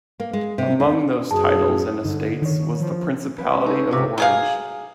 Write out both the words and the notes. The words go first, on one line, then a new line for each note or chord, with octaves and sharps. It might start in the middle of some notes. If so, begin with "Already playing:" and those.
Among those titles and estates was the Principality of Orange.
A#3
G#3
C3
D#2
F#2 G#4 A5
G2 D3 D#4
D#3 C#5
F3
B4
G#3 C#4
D#4 A4
G#2 C3 F4 G4 C5
F#3 G#4 F5